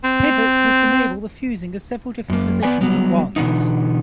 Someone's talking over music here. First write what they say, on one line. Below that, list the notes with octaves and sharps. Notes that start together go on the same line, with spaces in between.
Pivots thus enable the fusing of several different positions at once.
C4
F#2 A#3
B3 B4 D5 G#5
F#3 G3 B3
B2 D3 E3 B3 D#4